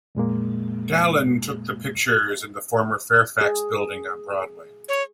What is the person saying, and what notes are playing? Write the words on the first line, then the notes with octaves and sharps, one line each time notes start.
Dallen took the pictures in the former Fairfax building on Broadway.
F2 A#2 G#3 A#3
G#4
C#5